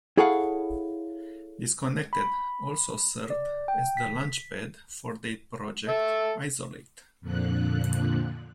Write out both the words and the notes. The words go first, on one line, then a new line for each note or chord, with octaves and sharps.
"Disconnected" also served as the launch pad for their project "Isolate".
E4 G#4 A4 C#5 F5 F#5
B5
D5
G5
B6
A4 E5
F2 A#2 D3 F3 F#6